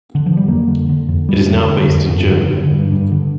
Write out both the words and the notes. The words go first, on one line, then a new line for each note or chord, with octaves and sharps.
It is now based in Germany.
D3
F3
G3
F2 A#3
D3
D3
F2
F2 G3
D3
D3
F2
G2
D3
D3
G2
G2
D3